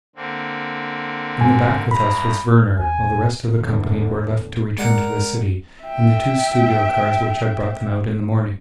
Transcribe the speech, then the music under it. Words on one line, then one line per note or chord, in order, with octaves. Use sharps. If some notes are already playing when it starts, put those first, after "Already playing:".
In the back with us was Werner, while the rest of the company were left to return to the city in the two studio cars which had brought them out in the morning.
D3 A#3 C4
G#2 G#5
E2 G2 A#5 B5
E2 G#5
E2 A2 D3
G#3 A#4 D5 F#5
E5 G5